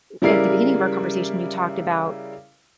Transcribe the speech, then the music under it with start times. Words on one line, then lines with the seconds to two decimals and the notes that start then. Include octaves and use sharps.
at the beginning of our conversation, you talked about,
0.22 C#3 G3 E4 A#4 D5 C7